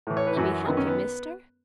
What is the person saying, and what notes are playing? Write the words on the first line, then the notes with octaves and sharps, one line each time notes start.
Lemme hep you, Mister.
A2 E3
C#5
B4
F#2 E3 F#4
F#2 D#3 B3
C#4
B3